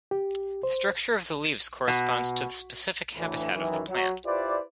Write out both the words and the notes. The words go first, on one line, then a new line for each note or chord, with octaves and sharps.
The structure of the leaves corresponds to the specific habitat of the plant.
G4
C5
B2
D2 A2 E3
F#2 D#3 E3
F#3
E4 F4 G4 B4 C5 D5